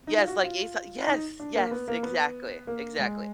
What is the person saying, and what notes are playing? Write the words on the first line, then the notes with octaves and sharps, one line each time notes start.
Yes, like, Aeso yes, yes, exactly, exactly,
D#4
F4
F#4
F4
D#4
D4
A#3
B3
A#3
B3
A#3
G#3